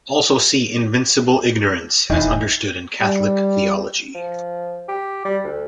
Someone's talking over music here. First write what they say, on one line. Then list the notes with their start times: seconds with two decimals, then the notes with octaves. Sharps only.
Also see "Invincible Ignorance" as understood in Catholic theology.
2.10 E1 D#3 E3
3.01 G3
4.14 F3
4.88 G4
5.25 G3
5.44 D2